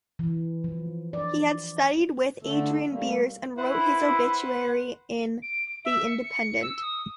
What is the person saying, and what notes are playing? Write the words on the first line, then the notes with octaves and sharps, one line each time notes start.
He had studied with Adrian Beers and wrote his obituary in "The Independent".
E3
F3
D5
D3 A3 A4
G3 A3 A#3
E4 B4 C5 F#5
D7
E5
C#7
C#7
E6
D#6